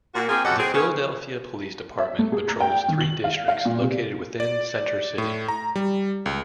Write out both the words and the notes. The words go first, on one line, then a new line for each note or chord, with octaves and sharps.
The Philadelphia Police Department patrols three districts located within Center City.
A#2 A#3 F#4
A#3 C4 F4 G4 G#4
F#2 F#4 G4 A4 D#5 F#5
C4 G#4
B3 C#4 G#4
E5
A3
G#4
A#5
G5
D#3
F#7
F5
F5
A#2
C3
D5
A2
A#5
G3
C#2